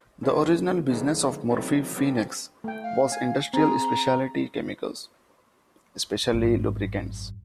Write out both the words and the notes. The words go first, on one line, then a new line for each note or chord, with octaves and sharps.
The original business of Murphy-Phoenix was Industrial Specialty Chemicals, especially lubricants.
D#3 G#3 B3 C#4
D3 F3 G#3 B3 D#4
E3 F#3 A3 B3 C4 D#4
G3 B3 C4 D4 G4 A4
A3 G5
F5
G#5
C4 G#4 A#5
G#1 F#2